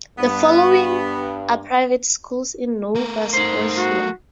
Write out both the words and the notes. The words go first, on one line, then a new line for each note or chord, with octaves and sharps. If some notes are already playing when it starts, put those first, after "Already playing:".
The following are private schools in Nova Scotia.
G2 B3
A3 A#4
D#4 C5
F#4